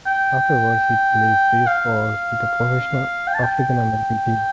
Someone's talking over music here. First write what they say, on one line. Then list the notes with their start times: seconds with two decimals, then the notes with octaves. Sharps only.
Afterward, he plays baseball with a professional African-American team.
0.07 G5
1.67 F5
3.27 G5
3.34 A5
3.43 G5